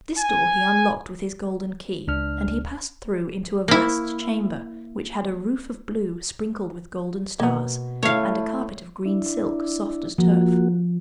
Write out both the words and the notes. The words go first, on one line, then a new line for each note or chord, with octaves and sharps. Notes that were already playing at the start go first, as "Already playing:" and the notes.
This door he unlocked with his golden key, and he passed through into a vast chamber which had a roof of blue sprinkled with golden stars, and a carpet of green silk soft as turf.
G#5
C#2 D4 F6
A#3 E4
B2 A#3 B3
A3 E4 C#5 F5
D4 E4
F3 A#3 F#4